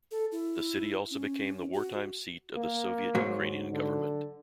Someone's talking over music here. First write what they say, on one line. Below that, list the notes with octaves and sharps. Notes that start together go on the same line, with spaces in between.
The city also became the wartime seat of the Soviet Ukrainian government.
A4
E4
C#4
F#4
A#3
G#2 F#3
D3